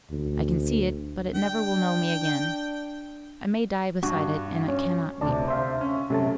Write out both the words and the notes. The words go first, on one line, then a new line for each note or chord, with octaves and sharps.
I can see it, but it never will know me again; I may die beside it, and it cannot weep.
D2
D4 G5
G2 F#4
C#4
D2 C3 D5 A5
C5 E5 F5
C#4
F#2 C3 A3 A5